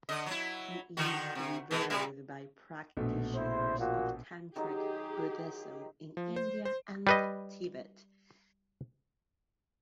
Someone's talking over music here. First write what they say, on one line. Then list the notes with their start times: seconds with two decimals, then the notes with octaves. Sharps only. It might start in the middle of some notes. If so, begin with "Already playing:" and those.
He is revered by practitioners of tantric Buddhism in India and Tibet.
0.09 D3 D#5
0.26 F#3 E4
0.97 D3 D#3 F#4
1.35 C3
1.71 B2 E3 G#3
1.90 A#2 G3 E5
2.97 A#1 B2 A3
3.35 E4 C5
3.79 A#2 F3 F#4
4.56 D#3 F#3 D#4 G4 G#4
6.17 F3
6.36 C5
6.65 C5
7.07 G3 B4 D#5